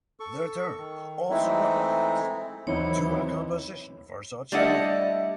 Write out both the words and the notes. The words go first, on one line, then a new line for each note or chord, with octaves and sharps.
The term also applies to a composition for such a group.
A4 C#6
D#3
E3 G#3 A3 C4 D#4 E4
D#2 E3 F#3 B3 C4 D#4 E4 C#5
G3 A3 D4 E4 D#5 F#5